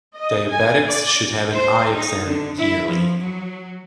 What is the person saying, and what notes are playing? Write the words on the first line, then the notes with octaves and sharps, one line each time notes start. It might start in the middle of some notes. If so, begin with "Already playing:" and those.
Diabetics should have an eye exam yearly.
D#5
G#5
D5
C5
D#4
D3
E4
F3
F#3